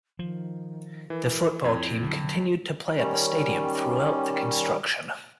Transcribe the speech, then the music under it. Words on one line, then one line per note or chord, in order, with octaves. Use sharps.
The football team continued to play at the stadium throughout the construction.
D#3 F3
E3 A#4
F2 E4 G#6
D3 D#3 F#3
D#3 G3 C#4